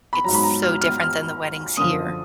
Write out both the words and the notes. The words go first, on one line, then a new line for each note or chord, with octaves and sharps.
it's so different than the weddings here.
B5
G#2 F#3 A#5
B5
A#5
F6
F6
F6
F#2 D3 F3 D#6